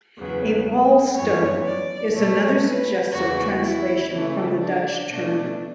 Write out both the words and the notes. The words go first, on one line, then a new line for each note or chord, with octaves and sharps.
A "wall stone" is another suggested translation from the Dutch term.
E2 C#3 F#3 B3
F#2 E3 G#3 B3 C#5
D5
B2 A3 C#5
B4
E2 C#3 E3 F#4
E4
C#3 E3 A3
D4
B2 A3 D4